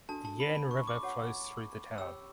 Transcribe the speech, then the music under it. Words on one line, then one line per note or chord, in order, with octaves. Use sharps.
The Yan River flows through the town.
D4 F#4 A4 A5
A5
B5
B5
C#6
D6
F#4 C#5 F#5 A5 C#6
C#4 G4 C#5 G5 C#6 E6